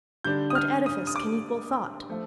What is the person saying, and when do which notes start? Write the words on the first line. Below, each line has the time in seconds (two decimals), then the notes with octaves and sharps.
What edifice can equal thought?
0.24 D3 G3 D4 G6
0.50 D#6
0.55 F6
0.86 D#6
1.07 D#6
1.16 D6
2.09 F3 A3